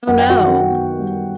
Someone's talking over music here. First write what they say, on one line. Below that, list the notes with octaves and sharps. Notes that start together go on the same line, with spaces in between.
Oh, no.
F#2 F#5
G5
F#4 F#5
D#3
B3
G3